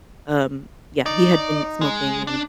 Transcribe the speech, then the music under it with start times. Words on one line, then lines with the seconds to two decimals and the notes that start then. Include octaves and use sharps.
um, yeah, he had been smoking, and,
1.06 D#4 D5
1.81 G#3
2.27 D4